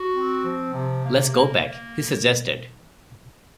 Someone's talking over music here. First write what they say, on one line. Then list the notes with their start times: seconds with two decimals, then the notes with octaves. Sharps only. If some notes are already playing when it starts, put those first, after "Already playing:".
"Let's go back," he suggested.
Already playing: F#4
0.15 C4
0.45 F3
0.74 C3
1.04 A#3
1.33 A#3
1.62 A#3